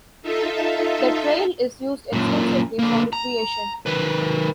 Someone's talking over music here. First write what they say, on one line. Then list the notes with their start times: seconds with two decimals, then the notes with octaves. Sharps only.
The trail is used extensively for recreation.
0.22 D#4 F4 A4 E5
2.13 F#2 A#2
2.79 D3 A#3
3.13 A#5
3.86 D#3 B4